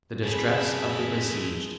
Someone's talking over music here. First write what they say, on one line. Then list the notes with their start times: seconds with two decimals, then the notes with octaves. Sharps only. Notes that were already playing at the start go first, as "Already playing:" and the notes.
The distress of the besieged.
0.24 F#2 C3 G#3 E4 G#4 G#5 A5 B5